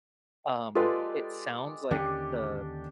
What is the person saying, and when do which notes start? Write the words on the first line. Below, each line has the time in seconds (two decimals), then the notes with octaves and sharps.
um, it sounds like, the
0.75 G#3 F4 G4 A4 B4 D5
1.91 D#2 D3 C#4 D4 G4